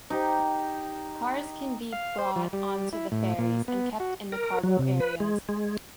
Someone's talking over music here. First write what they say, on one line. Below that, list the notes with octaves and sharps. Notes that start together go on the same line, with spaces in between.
Cars can be brought onto the ferries and kept in the cargo areas.
D#4 G4
F5
C5
F3
G3
E4
A2
A#2
B3
F#4
A#4
F#3
C3
B4
G#3
G#3